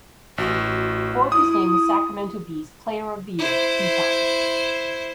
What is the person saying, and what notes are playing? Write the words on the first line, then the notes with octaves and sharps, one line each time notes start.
Ford was named the Sacramento Bee’s player of the year two times.
A1 F#4
E4 D#6
E4 C5